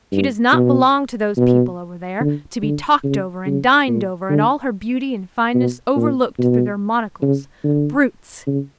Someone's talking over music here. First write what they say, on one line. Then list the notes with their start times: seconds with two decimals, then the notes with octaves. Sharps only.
She does not belong to those people over there, to be talked over, and dined over, and all her beauty and fineness overlooked through their monocles--brutes!
0.12 G2
0.53 B2
1.37 B2
2.20 D3
2.62 D3
3.04 C#3
3.46 C#3
3.88 A#2
4.29 D3
5.55 B2
5.96 A#2
6.38 B2
7.22 C#3
7.64 D3
8.47 C#3